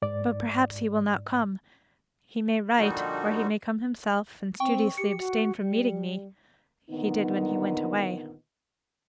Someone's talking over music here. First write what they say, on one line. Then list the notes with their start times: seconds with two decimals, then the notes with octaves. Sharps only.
But perhaps he will not come; he may write, or he may come himself, and studiously abstain from meeting me--he did when he went away.
0.02 G#2 D5
2.78 A#2 D3 F3 G3 D#4 F#4
4.60 C4 G5 C#6
4.97 G4 C#7
5.17 F#4
5.60 G3
6.90 A#2 D3 D#3 B3 D#4